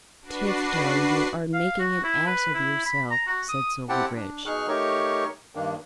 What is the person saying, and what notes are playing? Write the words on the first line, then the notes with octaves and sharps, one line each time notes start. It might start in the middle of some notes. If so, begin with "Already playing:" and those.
"Tifto, you are making an ass of yourself," said Silverbridge.
D4 F#4 B4 C7
F5
F#4
E4
B4
E4
B5
A#5
F#4
D#6
C4 E4 G4 F#5 G5 A5
D4
B2 D#4 G#4 C#6 F6 F#6
A3 D#4 G4 A#4 C#5 C#6
G2 D#3 A#3 D4